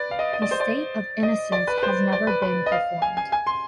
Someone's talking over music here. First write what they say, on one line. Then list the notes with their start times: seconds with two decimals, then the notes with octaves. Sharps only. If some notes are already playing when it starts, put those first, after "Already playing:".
"The State of Innocence" has never been performed.
Already playing: B4 D5
0.11 F5
0.19 D#5
0.33 D#5
0.42 D5
0.51 C5
0.60 D5
1.23 D#5
1.52 D5
1.67 B4
1.78 B4
1.83 C5
2.12 D5
2.27 B4
2.42 B4
2.66 D#5
2.72 F5
3.02 G#5
3.17 G#5
3.32 G#5
3.47 C6